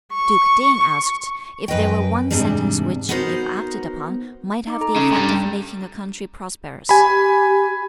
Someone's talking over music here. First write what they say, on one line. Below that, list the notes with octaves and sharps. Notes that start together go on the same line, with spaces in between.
Duke Ting asked if there were one sentence which, if acted upon, might have the effect of making a country prosperous.
C#6
F#2 B4 D#5 G5
E2 G#2 C3 E3 G3 D4
B3 D#4 F#4 A#4 C5
D#4 D6
A4 A#5
C#3
G2 G3
G4 G#5 B5